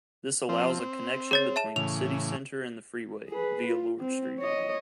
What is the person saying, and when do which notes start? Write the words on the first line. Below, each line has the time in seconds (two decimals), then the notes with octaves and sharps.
This allows a connection between the city centre and the freeway, via Lord Street.
0.49 F3 C4
0.80 C4
1.31 G#4 C#5 A6
1.56 E5 A5 E7
1.76 A2 C#3 E3 F7
3.29 G#4 B4
3.67 F4
4.00 C4
4.39 C#5 D#5